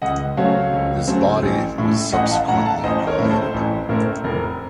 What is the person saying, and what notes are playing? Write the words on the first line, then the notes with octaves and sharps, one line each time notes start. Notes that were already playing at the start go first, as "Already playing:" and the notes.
His body was subsequently cremated.
C#2 D#5 F#5
C#3 F#3 A3 C4 C#5 F5
C#2
C#3 F#3 A3 C4
A1
A2 A3
A1 D#5 F#5
F5 A5
A2 A3 F#5 A#5
F5 A5
A1 C5 D#5
A#4 C#5
A2 A3 C4
A4 C5
A1
A2 A3 C4 A#4
F1 A#4